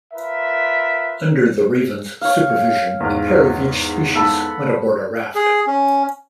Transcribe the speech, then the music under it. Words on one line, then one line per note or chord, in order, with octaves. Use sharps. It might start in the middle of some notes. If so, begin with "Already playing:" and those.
Under the Raven's supervision a pair of each species went aboard a raft.
F4 A#4 B4 E5
C#5 F5
E2 G#2 F6
A4 F#5 B5
G#4
C#4